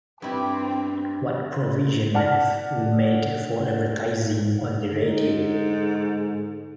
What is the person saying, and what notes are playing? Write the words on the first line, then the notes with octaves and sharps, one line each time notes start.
What provision have we made for advertising on the radio?
G2 C4 E4 G4
D5 F#5 A5 F6
G#2 D3 D#4